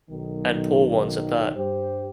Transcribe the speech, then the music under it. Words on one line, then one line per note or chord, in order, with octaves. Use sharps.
And poor ones at that.
B1 D#3
G2 G4 C5